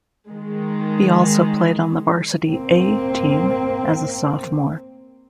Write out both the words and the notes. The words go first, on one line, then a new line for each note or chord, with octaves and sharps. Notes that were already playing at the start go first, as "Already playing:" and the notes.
He also played on the Varsity "A" team as a sophomore.
D#3 G#3
A#3 C4